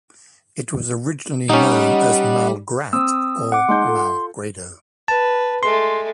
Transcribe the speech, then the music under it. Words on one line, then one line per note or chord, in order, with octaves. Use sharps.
It was originally known as "Malgrat" or "Malgrado".
G3 C#4 D#4 D#5 F#5
C4 D#6 E6
F#5 D6
G#3 D#4 C6 G6
F4 A4
B4 A5
G#3 A3 C6